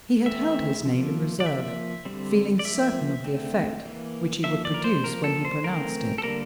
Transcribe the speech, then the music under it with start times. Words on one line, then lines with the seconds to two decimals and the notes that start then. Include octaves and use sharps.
He had held his name in reserve, feeling certain of the effect which he would produce when he pronounced it.
0.25 E3 A3 C4 E5
0.85 F3 A#3
1.40 D5
1.46 F3 A#3 E5
2.05 D3 G3 C4
2.59 D5
2.65 F3 A#3 E5
3.24 D3 A3 C4
3.85 E3 A#3
4.44 F3 A#3 E5
4.65 D5
4.74 A#4
4.84 C5
5.04 F3 A#3 A#4
5.24 A4
5.45 C5
5.64 E3 A3 C4 A#4
6.18 A4
6.23 D3 G3 A#3 A#4